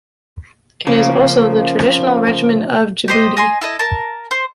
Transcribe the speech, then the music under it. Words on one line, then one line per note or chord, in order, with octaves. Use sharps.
It is also the traditional regiment of Djibouti.
C#3 F3 A#3
G4 C5 D#5
D#5 G#5 C6
E4 A4 D#5
A#4 A5
C5